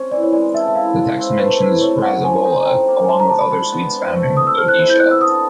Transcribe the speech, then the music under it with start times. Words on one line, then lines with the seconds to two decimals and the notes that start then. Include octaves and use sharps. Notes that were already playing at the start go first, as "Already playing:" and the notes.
The text mentions Rasagola, along with other sweets found in Odisha.
Already playing: C4 C#4
0.11 E3 D5
0.23 C#5
0.32 G#3 D5
0.54 A4 E5
0.68 E5
0.75 E4 F5
0.96 G#3
1.18 C4
1.39 A3 B4
1.60 E4 B4
1.81 A3 C#5
2.02 C#4 F#5
2.24 F3 G#5
2.45 D#4
2.66 F3 G5
2.88 A#3
3.04 G#5
3.09 G#3 A5
3.20 A#5
3.30 D4 A5
3.41 B5
3.51 G#3
3.72 B3
3.94 C3
4.16 A3
4.36 C3 D#6
4.47 E6
4.58 F3 F6
4.68 F#6
4.79 E4
4.90 G6
5.00 B3 F#6
5.11 E6
5.21 D3 D#6